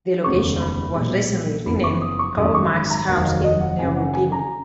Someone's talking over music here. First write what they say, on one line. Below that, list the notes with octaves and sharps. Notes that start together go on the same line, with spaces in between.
The location was the recently renamed Karl Marx House in Neuruppin.
F1 D#2 C#3 G#3 B3 C#6
B5
B1 A#2 G#3 B3
F#1 F#2 F3 B3 B5
C#6
D#6
C#6
G#1 F#2 D#3 G#3 D#6
C#6
B5
A#5
F1 D#2 D#3 F#3 F#5
F5
D#5
F#5
F#1 F#2 C#3 G#5
F#5
G#5
A#5